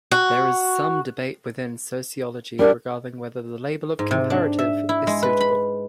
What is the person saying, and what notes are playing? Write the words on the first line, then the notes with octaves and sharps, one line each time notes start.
There is some debate within sociology regarding whether the label of 'comparative' is suitable.
F#4
G3 D4 A#4
G#2
C3
D4
E5
E4
G#3
B4
B5